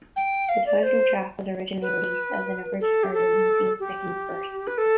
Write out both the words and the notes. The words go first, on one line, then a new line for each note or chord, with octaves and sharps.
The title track was originally released as an abridged version, missing its second verse.
G5
F5
D5
C5
B4
A4
G4
A4
G4
B4
A4